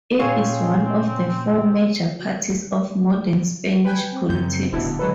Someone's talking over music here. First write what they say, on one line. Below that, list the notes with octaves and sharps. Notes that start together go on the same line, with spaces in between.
It is one of the four major parties of modern Spanish politics.
A#2 C4 C#4 G#4 C#5 F5
B4 G5 G#5
C4
F#2 C#3 G6
D1 D2 B2 D4 E4
D3 F#3 G#3 A4 B4